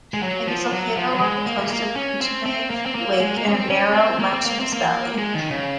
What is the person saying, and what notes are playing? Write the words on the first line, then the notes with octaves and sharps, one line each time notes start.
It is located along the coast of Kootenay Lake, in a narrow, mountainous valley.
G#3
F#3
F3
F#3
F3
F#3
G#3
A#3
G#3
A#3
C#4
C4
C4
A#3
C4
A#3
G#3
A#3
C#4
C4
C#4
C4
A#3
C4
A#3
C4
A#3
G#3
D#3
C#3